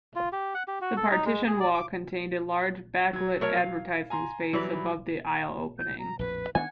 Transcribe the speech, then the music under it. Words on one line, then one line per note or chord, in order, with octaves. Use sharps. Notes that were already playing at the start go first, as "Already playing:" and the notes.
The partition wall contained a large backlit advertising space above the aisle opening.
F4
G4
F#5
G4
F#4
A4
D#4
G#3
G#4
D5
D6
F#3 G#6
A3 A#4 C#5
F5
G#5 A#5 C6
E3 F#3 G3 B4
G6
A#5
A#1 F2 A2 B4
D#3 B3 D4 F#5 G#5